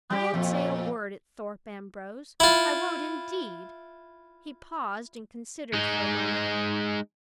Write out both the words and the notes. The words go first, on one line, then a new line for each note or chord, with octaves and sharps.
"I won't say a word at Thorpe Ambrose, I won't indeed!" He paused, and considered for a moment.
G3 G4
F2 A#2
E4 F4
G#3 D#4